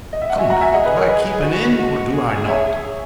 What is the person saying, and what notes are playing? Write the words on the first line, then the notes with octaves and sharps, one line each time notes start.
Come now, do I keep an inn, or do I not?
D#5
E5
F#5
F#4 E5 G#5
F#5 A#5
E5 G#5
G#4 D#5 F#5
B4 D#5
A#4 C#5
B4 D#5
F#4
F#4
G#4
C#5 E5